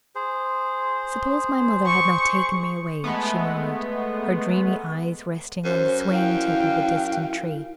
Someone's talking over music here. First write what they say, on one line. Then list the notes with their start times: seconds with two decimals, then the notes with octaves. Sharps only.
"Suppose my mother had not taken me away?" she murmured, her dreamy eyes resting on the swaying tip of a distant tree.
0.15 G#4 C5
1.85 C#6
3.04 G#3 A3 B3
5.65 F#2 C5
6.10 E4 F5 G5